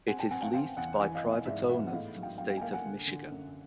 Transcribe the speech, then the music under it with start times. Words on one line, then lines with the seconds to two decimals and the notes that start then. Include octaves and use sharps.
It is leased by private owners to the state of Michigan.
0.07 C4 F#5 G#5
0.19 G5 A5
0.31 C4 F#5 G#5
0.42 F5 G5
0.53 C4 F5 G5
0.77 E2 F#5 G#5
0.99 E3 F#5 G#5
1.15 D#5 F5
1.24 B3
1.31 D#5 F5
1.46 G#2 D5 E5
1.69 B3 E5 F#5
1.87 F#5
1.92 A2 D#5 F5
2.16 F#3
2.22 F5 G5
2.38 F#3 F5 G5
2.50 F5 G5
2.57 G#5
2.61 A#3 F5 G5
2.73 F#5 G#5
2.85 D3
3.07 D3
3.31 F#2